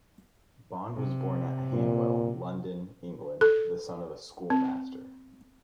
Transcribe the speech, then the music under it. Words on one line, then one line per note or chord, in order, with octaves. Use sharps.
Bond was born at Hanwell, London, England, the son of a schoolmaster.
C3
A#2
A4
C4